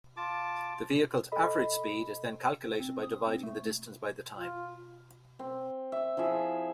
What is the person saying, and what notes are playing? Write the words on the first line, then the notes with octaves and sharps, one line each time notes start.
The vehicle's average speed is then calculated by dividing the distance by the time.
F4 A5 D6
A4 D#5 B5
C4
D#6
C4
A3
F4
C4
E5
F3 E4 G#4 E5